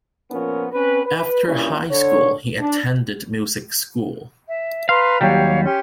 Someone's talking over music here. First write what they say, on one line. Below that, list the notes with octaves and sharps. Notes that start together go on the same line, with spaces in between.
After high school, he attended music school.
A#2 F3 B3 C#4 A#4
C4 C#4 B4
B4
G2 A#2 C#4 E4
D3 C#5
D4
E5
B4 F5 A#5 C6
D#2 F#3 G3 G4 C#5 F5
C#4 G4 C6